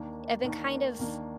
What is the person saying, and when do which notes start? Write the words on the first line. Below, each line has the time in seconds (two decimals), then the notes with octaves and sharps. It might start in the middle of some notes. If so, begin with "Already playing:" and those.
I've been kind of,
Already playing: D#2 D#3 A#3 D4
0.43 D#2 D#3 A#3 D4
0.99 D#2 D#3 A#3 D4